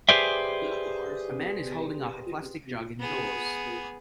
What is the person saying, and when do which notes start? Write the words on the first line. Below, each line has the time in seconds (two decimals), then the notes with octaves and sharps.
A man is holding up a plastic jug indoors.
0.09 G4 G#4 B4 C5 D5 E5
3.00 B3 G#4